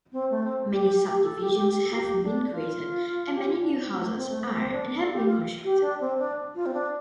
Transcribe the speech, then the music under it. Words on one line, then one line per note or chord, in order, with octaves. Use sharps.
Many subdivisions have been created and many new houses are and have been constructed.
C4
A3
C4
G4
G4
G4
A4
G4
G4
G4
A4
F4
G4
D4
F4
G4
F4
D4
C4
A3
C4
A3
C4
A3
C4
D4
A4
G4
F4
G4
D4
C4
D4
F4
C4
D4